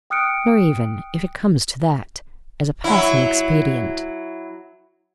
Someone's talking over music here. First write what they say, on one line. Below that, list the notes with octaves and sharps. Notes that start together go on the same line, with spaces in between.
Nor even, if it comes to that, as a passing expedient.
G5 D#6 F6 F#6 C#7 D7
F#3 E4